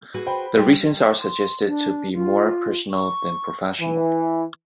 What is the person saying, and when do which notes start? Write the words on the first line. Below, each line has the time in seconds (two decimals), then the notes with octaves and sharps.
The reasons are suggested to be more personal than professional.
0.14 F#4 G#4 B4
0.26 C5 G5 B5
0.59 G3 G5
1.19 C6
1.66 D4
2.13 F4
2.90 C#6
3.81 E3